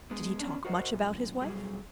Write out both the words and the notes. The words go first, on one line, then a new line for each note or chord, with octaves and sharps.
"Did he talk much about his wife?"
G#3 B3
B3 C#4 D4
F#4 A#4 C5 D#5 F#5
F#2 A#2
B2 F#3 G3 G#4